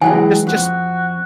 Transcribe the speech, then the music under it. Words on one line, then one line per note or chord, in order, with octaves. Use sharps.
It's just
E3 F#3 G#3 G5 G#5
F2 F#4